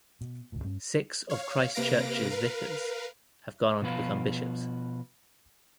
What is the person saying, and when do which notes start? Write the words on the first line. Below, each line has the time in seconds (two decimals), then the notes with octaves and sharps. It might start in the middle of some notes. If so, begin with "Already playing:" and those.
Six of Christ Church’s vicars have gone on to become bishops.
0.21 B2
0.52 G1 C#2 A#2
0.64 G2 G3 C#4
1.30 C#5 F5
1.74 C3 A#3 B4 F5 A#6 D7
2.30 A#4 B4 F5
3.82 B2 F3 B3 B4 F5